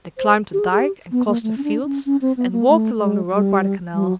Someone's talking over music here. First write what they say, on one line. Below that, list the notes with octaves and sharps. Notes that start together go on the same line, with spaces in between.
They climbed the dyke and crossed the fields, and walked along the road by the canal.
C5
G4
G#4
G#4
G4
B3
A#3
A3
C#4
D4
C#4
C#4
C4
B3
A#3
A3
G#3
G3
G3
F#3